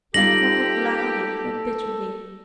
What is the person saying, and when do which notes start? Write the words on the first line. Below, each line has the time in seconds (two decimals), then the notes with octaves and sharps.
He cried loudly and bitterly.
0.14 G3 D#4 F4 G4 A4 A#6 F#7